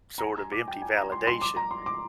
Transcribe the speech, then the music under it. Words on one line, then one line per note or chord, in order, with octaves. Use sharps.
sort of empty validation
A#5
G#5
A#5
D6
G5
G#5
A#5
C6
C6
D6
A#5
C6
D6